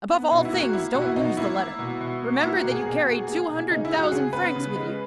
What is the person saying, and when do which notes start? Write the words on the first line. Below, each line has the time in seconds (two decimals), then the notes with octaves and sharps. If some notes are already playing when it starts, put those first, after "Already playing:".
"Above all things, don't lose the letter! remember that you carry two hundred thousand francs with you!"
0.10 B3
0.31 B2 D#4
0.45 E4
0.53 A#3
0.60 F#4
0.73 A#3 E4
0.94 B2 F#4
1.02 E4
1.16 B2 D#4
1.37 A#3 E4
1.59 A#3
1.79 B2
2.01 B2
2.22 A#3
2.42 A#3 E4
2.56 F#4
2.64 B2
2.71 G#4
2.85 B2 G#4
2.99 F#4
3.06 A#3
3.13 G#4
3.27 A#3 G#4
3.49 B2
3.70 C#3 D#4
3.85 E4
3.90 G#3
3.98 F#4
4.12 C#3 G#4
4.33 B3 B4
4.55 C#3
4.76 G#3